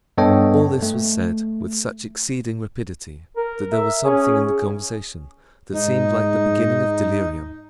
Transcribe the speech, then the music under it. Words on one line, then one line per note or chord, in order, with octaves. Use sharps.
All this was said with such exceeding rapidity, that there was something in the conversation that seemed like the beginning of delirium.
G2 B3 A4 C#5 D#5 G5
A3
A#4
E5
C#4 G#4
G#2 D#4